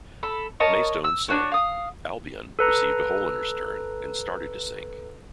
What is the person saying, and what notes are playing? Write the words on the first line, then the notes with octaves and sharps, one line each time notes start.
"Maystone" sank, "Albion" received a hole in her stern and started to sink.
A4 B5
A#4 C#5 D#5 A5
E6
D4 F#4 C#5
F5 D#6
A4 B4 A#5